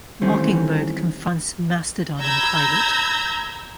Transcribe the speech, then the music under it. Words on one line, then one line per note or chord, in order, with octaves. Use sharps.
Mockingbird confronts Mastodon in private.
D#3 E3 G3 A3 C4 C#4
A#5 B5 E6 G6 G#6 A#6